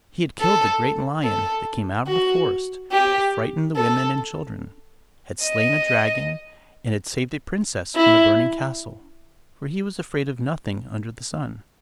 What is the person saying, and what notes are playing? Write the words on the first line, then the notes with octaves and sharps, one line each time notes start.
He had killed the great lion that came out of the forest to frighten the women and children, had slain a dragon, and had saved a princess from a burning castle; for he was afraid of nothing under the sun.
A4
A4
F#4
G4
A4
D#5
E4